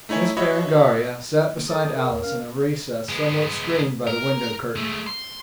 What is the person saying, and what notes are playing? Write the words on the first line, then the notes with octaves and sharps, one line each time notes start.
Miss Berengaria sat beside Alice in a recess somewhat screened by the window curtain.
A3 D#4 E4 C#5 G#5
F#4 C#5 D#5 E5 B5
A#3
A4 A5 D6 D#6
G#4 A#4 D5 E5
D#2
C#4 F5
G#3 B3
A#4
G#3 A3
C6